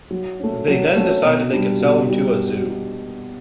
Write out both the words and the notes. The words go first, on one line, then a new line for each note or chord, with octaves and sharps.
They then decided they could sell him to a zoo.
F#3
A3 C#4
F#3
A3 C#4
B2
G3 D4 G4
B2
G3 D4 G4